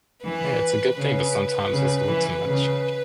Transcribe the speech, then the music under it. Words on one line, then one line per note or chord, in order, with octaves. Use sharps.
Yeah, it's a good thing, but sometimes it's a little too much.
E3 B4
C#3 B4
C#3
E3
C#3